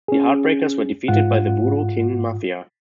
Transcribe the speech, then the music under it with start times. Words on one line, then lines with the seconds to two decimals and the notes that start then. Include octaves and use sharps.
The Heartbreakers were defeated by the Voodoo Kin Mafia.
0.08 C#4 G#4
1.08 G#2 F4 F#5